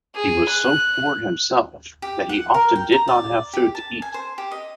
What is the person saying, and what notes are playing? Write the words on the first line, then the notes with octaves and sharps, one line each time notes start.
He was so poor himself that he often did not have food to eat.
G#4
F#6
G4
F#5
A#4
G5
A#5
D5
G4
A5
G#5
C5
G4
D#5